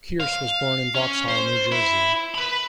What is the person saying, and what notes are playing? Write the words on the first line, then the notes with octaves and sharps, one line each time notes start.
Kearse was born in Vauxhall, New Jersey.
F5
C#4
C5
E4
B4 B5